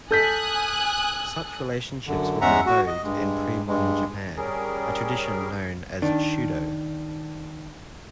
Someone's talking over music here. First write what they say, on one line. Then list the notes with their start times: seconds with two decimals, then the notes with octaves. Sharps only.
Such relationships were in vogue in pre-modern Japan, a tradition known as shudo.
0.11 A4 G#5 D#6 F#6 G6 B6
2.07 F#2 D3
2.41 E2 G#3 C#4 E5 F#5 A#5
2.66 F#4
2.87 D#5
3.04 G2 G#3
3.67 G2 G#3
4.37 G3 C#4 G#4 A#4
6.02 D#3 D4